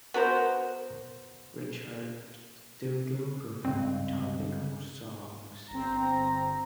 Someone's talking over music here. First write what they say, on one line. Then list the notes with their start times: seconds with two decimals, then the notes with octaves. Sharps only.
Richard Stilgoe performed topical songs.
0.14 B3 F#4 A#4 C5
3.65 C#2 G2 C4
5.70 G1 C4 A#5